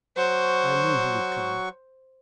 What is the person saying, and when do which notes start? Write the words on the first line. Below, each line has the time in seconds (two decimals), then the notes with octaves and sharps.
I knew he would come.
0.17 F#3 F#4 C5 C#6